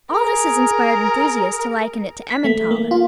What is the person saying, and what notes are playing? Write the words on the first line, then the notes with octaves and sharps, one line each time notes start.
All this has inspired enthusiasts to liken it to Emmentaler.
G#4 A#4
B6
A3
A#3
F4